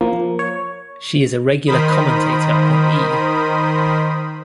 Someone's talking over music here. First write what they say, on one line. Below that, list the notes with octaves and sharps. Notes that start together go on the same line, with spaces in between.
She is a regular commentator on E!
F3 A#3
C#5
D#3 A#4 C5 B5 D#6